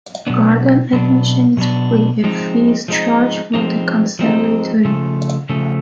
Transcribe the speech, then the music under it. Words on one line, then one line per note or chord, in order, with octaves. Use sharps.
Garden admission is free; a fee is charged for the conservatory.
B2 F#3 B3 D4
B2 F#3 B3 D4
B2 F#3 B3 D4
F3 G#3 C4 D#4
F3 G#3 C4 D#4
F3 G#3 C4 D#4
F3 G#3 C4 D#4
C#3 F3 A3
C#3 F3 A3